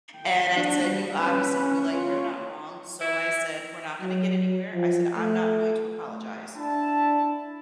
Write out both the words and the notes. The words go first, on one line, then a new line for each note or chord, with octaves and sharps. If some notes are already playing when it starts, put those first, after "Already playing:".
And I said, "You obviously feel like you're not wrong," so I said, "We're not gonna get anywhere," I said, "I'm not going to apologize."
G5
D4 F#4
G3
C#4 B4
C#4
F4 C#5
E4
F#3
F3
A3
D4 E4 A5